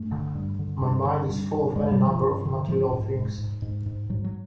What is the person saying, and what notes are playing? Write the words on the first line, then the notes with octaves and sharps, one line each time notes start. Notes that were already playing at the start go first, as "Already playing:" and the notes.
My mind is full of any number of material things.
Already playing: G2 A3
D3
G2
D3
G2
D3
G2
D3
G2 G#3
G3
D3
F3
G2
D3
G#2 F3
G#2
G#2
G#2
G#2
G#2
G#2 F#3
F#3